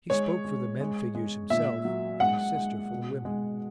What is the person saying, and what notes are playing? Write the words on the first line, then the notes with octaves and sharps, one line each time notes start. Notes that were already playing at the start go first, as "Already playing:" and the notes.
He spoke for the men figures himself, and his sister for the women.
G#3 C#5
G#3
G#3
G#3
A#2 E5
F#3
G#3 F#5
G#3
B2
G#3